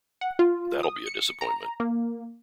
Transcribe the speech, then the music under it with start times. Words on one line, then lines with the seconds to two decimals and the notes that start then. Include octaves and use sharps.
That'll be a disappointment.
0.21 F#5
0.39 F4
0.83 D#6
1.06 C#7
1.41 A#5
1.80 A#3